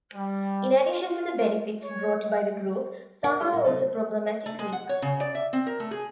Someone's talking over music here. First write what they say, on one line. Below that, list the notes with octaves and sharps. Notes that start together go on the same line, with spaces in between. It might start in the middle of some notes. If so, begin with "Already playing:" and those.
In addition to the benefits brought by the group, some are also problematic weeds.
G3
F4
C#5
D4 A#4 F#5
G#3 B3 D#4 G4 A4
A#2 G3 A#4 F#5
C3 F#3 D#4 A4
A3
G#3
F#5
C#5
C#3
D5
E5
C4
A#4
A3
G#4